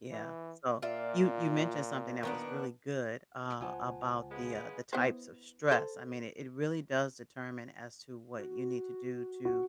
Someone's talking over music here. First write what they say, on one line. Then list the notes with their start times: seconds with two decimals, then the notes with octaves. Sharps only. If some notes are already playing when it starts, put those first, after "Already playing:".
Yeah, so, you you mentioned something that was really good, uh, about the, uh the types of stress, I mean it it really does determine as to what you need to do to
0.11 E3
0.82 A#2 F4 D5 E5
2.23 D#3 B3 D4
3.61 C#2 F4 C5 F#5 G#5 A5
4.31 C#3 G#3 B3
4.93 B3 E4 C5
5.72 A4 C5
8.39 F#4
9.45 F#4